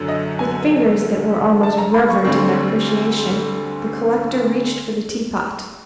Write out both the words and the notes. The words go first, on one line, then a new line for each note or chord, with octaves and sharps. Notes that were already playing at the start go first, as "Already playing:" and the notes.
With fingers that were almost reverent in their appreciation, the collector reached for the teapot.
Already playing: F#2 D3 F#3
D#5
G#5
A5
A#5
B5
C#6
D2 D3 G3 C4